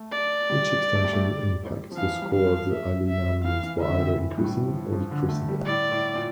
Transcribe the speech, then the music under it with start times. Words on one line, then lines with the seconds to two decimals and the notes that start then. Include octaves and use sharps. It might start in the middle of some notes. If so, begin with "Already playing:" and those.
Each extension impacts the score of the alignment by either increasing or decreasing it.
Already playing: A3
0.12 D5
0.50 G3
0.95 A3
1.04 G3
1.13 A3
1.24 G3
1.92 F3
1.97 E3 F5
2.22 G3
2.34 F5
2.46 F3
2.71 E5
3.08 E5
3.44 E3 F5
3.63 E3
3.81 D3 E5
4.00 C3
4.19 E3
4.38 G2
4.44 A2
4.67 F3
4.92 F3
5.11 D3
5.29 A3
5.48 G3
5.66 A2 D5
5.91 A2
6.15 A#2